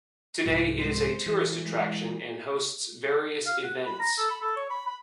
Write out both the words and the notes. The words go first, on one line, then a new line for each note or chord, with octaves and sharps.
Today, it is a tourist attraction and hosts various events.
C2 G#2 F3
G#3 C5
E3
F#3 G#3
F5
F#5
B5
A#5
A4
B5
A4
C#5
B5
B5